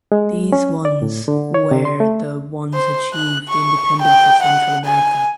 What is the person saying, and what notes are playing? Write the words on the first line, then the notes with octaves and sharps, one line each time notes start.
These ones where the ones achieve the independence of Central America.
G#3
C#4
D5
A2
D3
C#5
C3
C6
A3
C5
F#6
C#6
G5
F#5
G#5